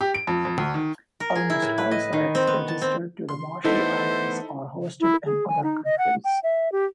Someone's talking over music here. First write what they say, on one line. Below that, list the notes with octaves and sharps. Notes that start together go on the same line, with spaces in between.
Almost all sites registered to the Marshall Islands are hosted in other countries.
G4
D7
F2
F2
D2
D#3
A#4
G#4
E4
A2
B4
D#5
D#3
C4
B3
A5
C4
C6
E3 A3 B3 D#4 E4 A4 C5
E4
G#4
G#5
D#4
D#5
F#5
G5
E5
G4